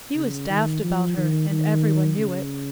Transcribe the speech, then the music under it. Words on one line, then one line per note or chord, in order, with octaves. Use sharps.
He was daft about her, and every one knew it.
C#3
D#3
F3
D#3
D#3
C#3